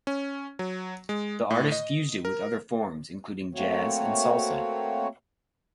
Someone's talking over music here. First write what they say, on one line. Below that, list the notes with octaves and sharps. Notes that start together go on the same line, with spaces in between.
The artists fused it with other forms, including jazz and salsa.
C#4
F#3
G#3
A2
D#5
A#4
A3 A#3 C4 F#4 C#5